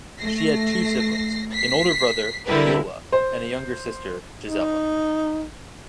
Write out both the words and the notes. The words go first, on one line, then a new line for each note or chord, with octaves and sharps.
She had two siblings - an older brother, Gyula and a younger sister, Gizella.
A3 A#6 C7
B6 C7
D3 G3 E4 G4 A#4 B4
C5
D#4